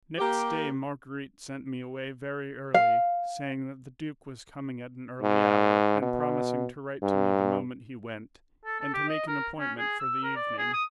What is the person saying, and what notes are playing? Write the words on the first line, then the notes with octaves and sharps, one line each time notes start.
Next day Marguerite sent me away very early, saying that the duke was coming at an early hour, and promising to write to me the moment he went, and to make an appointment for the evening.
A#3 G4
F5
G#2
B2
G2
A4
A4
G4
D#5
A#4
C#4
G#4
E6
A#4
D5
G#4
D#6